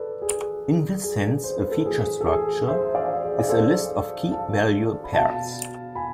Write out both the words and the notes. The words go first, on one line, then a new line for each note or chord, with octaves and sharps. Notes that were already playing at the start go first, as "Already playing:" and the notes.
In this sense a feature structure is a list of key-value pairs.
Already playing: A4 B4 D5
G#4
G#4
C5
B4
A4
A2 E3 G#4
A4
G#4
C5 E5
D5 F5
G#4
D5
A4 C5
F5 A5
B5
B2 F5 A5
G#5 B5